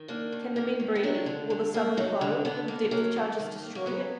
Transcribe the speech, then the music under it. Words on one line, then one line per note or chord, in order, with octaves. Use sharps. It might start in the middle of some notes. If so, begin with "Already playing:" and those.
Can the men breathe, will the sub implode, will depth charges destroy it?
Already playing: D#3
A#3 D4
D#3
A#3
D#3
B3
F#3 D4
D3
D3
A#3
F#3 D#4
D3
D3 B3
A#3
F#3 A#3
D#3
D#3
A#3
A#3
F#3 B3